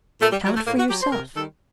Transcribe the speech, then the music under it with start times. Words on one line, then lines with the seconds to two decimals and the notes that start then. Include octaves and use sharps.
"Count for yourself."
0.21 A#2 A3
0.32 G3
0.44 F#3 G3
0.55 A3
0.67 A2 A#3
0.78 F#4
0.90 F#3 G4
1.02 C5
1.13 C3 A#4
1.36 D#3 G3 A4